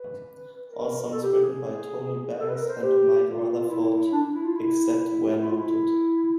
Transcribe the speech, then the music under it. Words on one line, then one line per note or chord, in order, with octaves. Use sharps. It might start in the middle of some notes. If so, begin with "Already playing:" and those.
All songs written by Tony Banks and Mike Rutherford, except where noted.
Already playing: B4
A#4
A4
G4
G4
G#4
A4
B4
A#4
C5
G4
F4
E4
D4
D4
E4
F4
E4
E4
E4
F4
E4